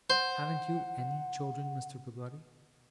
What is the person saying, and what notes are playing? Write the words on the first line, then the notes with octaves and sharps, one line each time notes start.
'Haven't you ANY children, Mr. Peggotty?'
C5 F#5